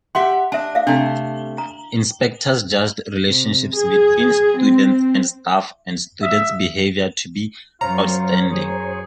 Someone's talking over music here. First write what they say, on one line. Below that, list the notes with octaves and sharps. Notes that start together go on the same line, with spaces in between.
Inspectors judged relationships between students and staff and student behaviour to be "outstanding".
G4 E5 F#5 C6
D4 E5 A5
E5 F5
C3 A3 D4
A#5
C3
G#4
C4
E5
F#2 F4 C5 C#5 A#5
G#4